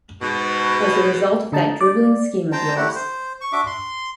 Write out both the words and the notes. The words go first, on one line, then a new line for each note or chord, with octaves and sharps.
As the result of that drivelling scheme of yours.
G#2 B2
D3 D#4 A5
D5
C5 G5 A5 A#5
A3 E4 G4 F#5
C5
C#6
D4 F#4 E5 D6
C6